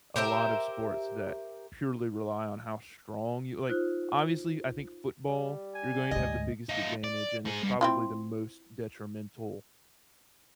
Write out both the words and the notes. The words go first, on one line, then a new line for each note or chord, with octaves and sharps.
a lot of sports that purely rely on how strong you like, obviously, I think football, you're going to have the biggest advantage, and it's probably the most detrimental
G4 A#4 C5 E5
D#4 F4 C5 F#6
G3
G#5
D2 G#2 D#5
D#4 F4
D5
G#2 G#4
G2
C4 E4 F4